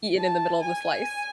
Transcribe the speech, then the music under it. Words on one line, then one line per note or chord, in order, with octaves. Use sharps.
eaten in the middle of the slice.
A5
G#5